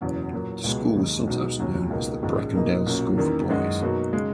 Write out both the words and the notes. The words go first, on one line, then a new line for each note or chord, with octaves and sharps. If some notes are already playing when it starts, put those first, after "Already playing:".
The school was sometimes known as Bracondale School for Boys.
F#1 E2 B2 F#3 C#4
A#2 F#3 A#3
C#2 B2 G#3
D#2 D#3 G#3 D#4
B1 B2 G#3 D#4
D#2 C#3 F#3
C#2 B2 A#3 D#4
A#1 G#2 D#3 G#3 C#4
B2 A#3 D#4
B1 A#2 F#3 A#3 C#4
E2 D#3 A#3 C#4
F#2 D#3 G#3 D#4 F#4
B2 F#3 A#3 D#4 F#4
C#3 G#3